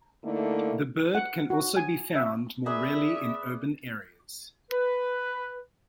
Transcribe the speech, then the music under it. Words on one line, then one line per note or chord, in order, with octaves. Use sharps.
The bird can also be found more rarely in urban areas.
D3 A3 A#3 D#4 E4
F#5
F#4
G#5
E5
G#4 B4 D5 E5
B4